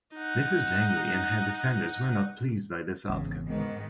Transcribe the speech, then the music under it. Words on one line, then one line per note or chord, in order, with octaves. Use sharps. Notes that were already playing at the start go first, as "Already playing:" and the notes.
Mrs Langley and her defenders were not pleased by this outcome.
D#4 F#5
G#1 E2 C#3
G#2 D#3 B3